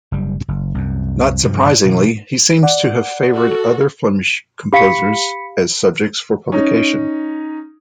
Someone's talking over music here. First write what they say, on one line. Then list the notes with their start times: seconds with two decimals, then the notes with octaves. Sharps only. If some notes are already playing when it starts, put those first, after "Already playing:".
Not surprisingly, he seems to have favored other Flemish composers as subjects for publication.
0.12 F#1 G3
0.48 F#1
0.75 C2 F#2
1.43 G2 C3 F3
1.85 B2 E3
2.63 D5 F#5
3.31 F#4 A4
4.73 G4 F5 B5 B6 C#7
6.52 C#4 D#4